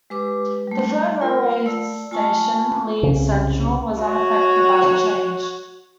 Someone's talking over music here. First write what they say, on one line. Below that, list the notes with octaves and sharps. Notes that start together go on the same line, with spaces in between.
The third railway station, Leeds Central, was unaffected by the change.
G#3 G4 B4 D6
G3 A3
F4 A#4 B5
A3 D5 E6
A3 F4 G#5 A5 C#6
C2 C#3
F#4 C#5